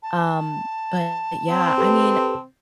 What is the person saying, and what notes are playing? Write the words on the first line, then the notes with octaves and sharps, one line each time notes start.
Um, but yeah, I mean,
A5
C4
G4 A4 B4